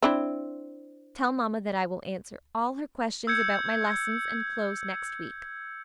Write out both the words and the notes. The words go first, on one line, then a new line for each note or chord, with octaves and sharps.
Tell mamma that I will answer all her questions about my lessons and clothes next week.
C4 D4 E4
E6 G6 G#6 C#7